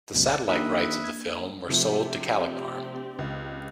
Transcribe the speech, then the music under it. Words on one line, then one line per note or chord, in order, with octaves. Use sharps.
The satellite rights of the film were sold to Kalaignar.
C#2 F#2 B2
D5
D#3 A#3 D4 G4 B4 E5 D#6
G#6
C3 F3 A3 C4 D4 G4
C#2